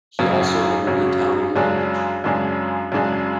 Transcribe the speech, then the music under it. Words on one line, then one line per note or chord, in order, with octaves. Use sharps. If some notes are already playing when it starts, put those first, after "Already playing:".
He also learned the Italian language.
G#1 F#2 C#3 F#3
G#1 F#2 C#3 F#3
F#2 C#3 G#3 D4 G#4
F#2 C#3 G#3 D4 G#4
F#2 C#3 G#3 D4 G#4